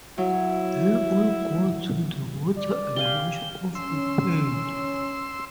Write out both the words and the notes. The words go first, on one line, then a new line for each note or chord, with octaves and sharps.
They all go to the water and wash off the paint.
F#3 E4
D5
G4 F5 G#5 G7
C#4 C6 E6